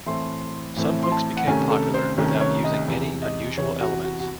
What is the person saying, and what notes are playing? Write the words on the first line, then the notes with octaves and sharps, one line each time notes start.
Some hooks become popular without using any unusual elements.
A2 E3 A3 C4 C6
A2 E3 A3 C4
C6
A5
F#5
C2 C3 D#3 A3 C#4 G#5
A4
C5
C2 C3 D#3 A3 C#4
C#5
D#5
E2 C3 E3
D#5
E2 C3 E3 C#5
F#4
F#4
F#4